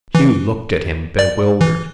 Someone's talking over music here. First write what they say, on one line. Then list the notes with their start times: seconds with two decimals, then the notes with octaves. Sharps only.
Hugh looked at him bewildered.
0.15 E3
1.19 D5
1.61 E3